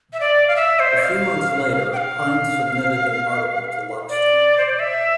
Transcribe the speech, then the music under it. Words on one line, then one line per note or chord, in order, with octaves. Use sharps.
A few months later Hind submitted an article to Luxton.
E5
D5
F5
E5
C5
F5
G5
F5
D5
C5
D5
E5